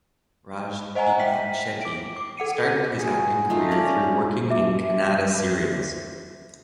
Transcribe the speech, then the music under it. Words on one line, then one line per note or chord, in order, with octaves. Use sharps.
Raj Deepak Shetty started his acting career through working in Kannada serials.
C5 D#5 F#5 G#5 A#5
E5 G5 B6
D6 D7
D6
A4 F#5 C#7 D#7
F#4 G#4
A3 D#4 F4
C#4 D5
E5 D6